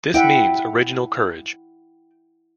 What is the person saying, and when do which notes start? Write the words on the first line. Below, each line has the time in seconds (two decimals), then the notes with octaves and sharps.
This means original courage.
0.14 E4 E5 F#5 G5